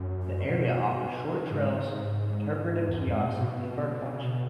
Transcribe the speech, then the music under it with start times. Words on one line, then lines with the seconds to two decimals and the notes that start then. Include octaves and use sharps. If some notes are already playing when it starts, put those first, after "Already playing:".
The area offers short trails, interpretive kiosks, and birdwatching.
Already playing: F#2
0.44 C#3
0.49 B2
1.29 F#3
1.40 C#3
1.52 G#2
2.88 E2
2.99 F#2
3.11 G#2
3.22 B2
3.30 G#2
3.40 B2
3.90 B2
4.01 C#3
4.13 C#3
4.24 B2